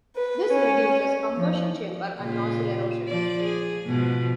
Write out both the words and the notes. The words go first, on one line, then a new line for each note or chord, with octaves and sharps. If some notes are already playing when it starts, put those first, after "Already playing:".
This reduces combustion chamber and nozzle erosion.
B4
C#4
F3
A#2 C#3 F4
F3 D5
G#4
G#2 B2 F3